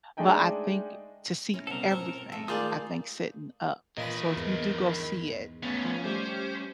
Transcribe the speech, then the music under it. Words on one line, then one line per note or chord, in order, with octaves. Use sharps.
but I think to see everything I think sitting up So if you do go see it
G#3 A3 D4 D#4 G5 G#5
C#4 D#4 E4
C2 B2 A4 A#4
B2 F3 C4 C#4
D2 G2
G#3 A3 A4
D#3 A#3 F4 G#4 D5 D#6 E6 G6
A#2 E3 A#4 B4 D#5 A#6 D#7
E2 G#2
A3 B3 C#4
F3
G3 A3 G4 C5